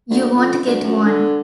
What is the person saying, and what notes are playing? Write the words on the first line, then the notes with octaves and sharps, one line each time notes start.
You won't get one.
D2
F2
D2
F#2
D3